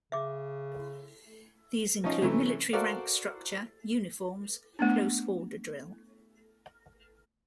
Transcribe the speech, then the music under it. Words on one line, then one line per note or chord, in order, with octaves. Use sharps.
These include military rank structure, uniforms, close order drill.
C#3 E5 D6
F3 C#4 D#4
C3 E3 F#3 A3 C#4
F#4 A4 A#4 C5 D5 F5
A3 B3 D4